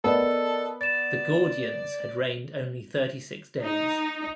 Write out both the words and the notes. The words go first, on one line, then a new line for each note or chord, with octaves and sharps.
The Gordians had reigned only thirty-six days.
B3 A4 A#4 D5 D#5
D5 A6 E7
D#4